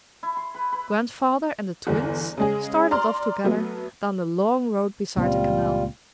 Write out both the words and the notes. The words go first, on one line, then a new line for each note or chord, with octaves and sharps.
Grandfather and the Twins started off together down the long road beside the canal.
E4
C6
B4
B4
G1 E2
C#3 G#3 G#4
D5 A#5 C6 F6
F#3 A3 B3
C#2 A#2 G3 C4 F4